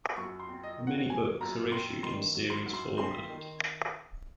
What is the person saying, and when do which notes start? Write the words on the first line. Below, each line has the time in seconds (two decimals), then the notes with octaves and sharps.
Many books are issued in series format.
0.16 F#2 C#6
0.40 C6
0.49 C4
0.63 D#5
0.79 D#3
0.87 F#5
1.10 F#3 G#5
1.41 F#2 A#5
1.72 C4 C6
2.03 D#3 C6
2.35 F#3
2.50 C6
2.66 F#2
2.74 C6
2.97 C4 C6
3.29 D#3